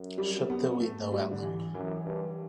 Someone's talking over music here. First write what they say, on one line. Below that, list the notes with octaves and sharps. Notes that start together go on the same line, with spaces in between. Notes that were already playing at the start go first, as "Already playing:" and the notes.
Shut the window, Ellen!
Already playing: F#2
G3
B3
A3
G3
D3
E3
F#2 E3
G2